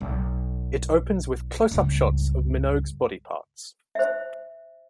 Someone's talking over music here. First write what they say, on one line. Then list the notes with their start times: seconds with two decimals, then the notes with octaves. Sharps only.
It opens with close-up shots of Minogue's body parts.
0.01 B1
1.71 C#2 G2
3.95 C5 E5